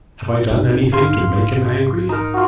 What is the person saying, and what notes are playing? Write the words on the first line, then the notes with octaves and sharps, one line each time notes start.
Have I done anything to make him angry?'
A#1 G#2
F5 C6
D#4 A#4
F4 F#4